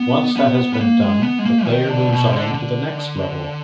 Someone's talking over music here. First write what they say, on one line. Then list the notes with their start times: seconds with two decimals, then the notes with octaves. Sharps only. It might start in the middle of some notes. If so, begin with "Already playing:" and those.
Once that has been done the player moves on to the next level.
Already playing: B3
0.37 B3
0.73 B3
0.81 A#3
1.01 G#3
1.23 B3
1.39 G#3
1.45 A#3
1.66 D#3
1.89 D3
2.10 B2
2.32 D3
2.54 D3